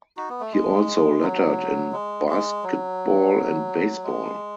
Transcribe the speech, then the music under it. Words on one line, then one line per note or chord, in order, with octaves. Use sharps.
He also lettered in basketball and baseball.
D#4 F#4
B3
A3
G#3
F#3
G#3
G#3
F#3
G#3